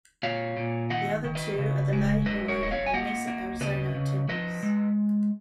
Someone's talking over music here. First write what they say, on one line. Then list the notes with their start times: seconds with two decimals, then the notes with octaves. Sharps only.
The other two are the Laie Hawaii and Mesa Arizona temples.
0.23 A#2 C#5 F5
0.57 A#2
0.90 D#3 D#5 F#5
1.24 D#3
1.35 B4 D#5
1.58 C#3
1.93 G#3
2.26 F#2 B4 D#5
2.48 A#4 C#5
2.60 F#2 D#5
2.71 C#5 F5
2.86 G#5
2.93 A#3 D#5 F#5
3.27 A#3
3.61 C#3 B4 D#5
3.95 C#3
4.28 F3 B4 D#5
4.63 G#3